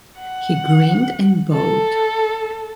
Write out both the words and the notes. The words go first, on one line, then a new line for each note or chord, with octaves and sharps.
He grinned and bowed.
F#5
A4